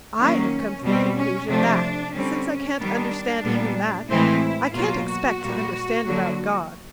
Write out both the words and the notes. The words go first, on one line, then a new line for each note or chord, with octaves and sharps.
I have come to the conclusion that, since I can't understand even that, I can't expect to understand about God.
D#3 F#3 A#3 C#4
B2 G3 C4
C#4
C3 F3 A3 D4
D3 G3 C4 C#4
D#3 G3 B3 D4
A#2 G3 B3
A2 E3 G#3 C4 E4
B2 F#3 A#3 F4
F#4
A#2 G3 A#3
D3 F#3 A#3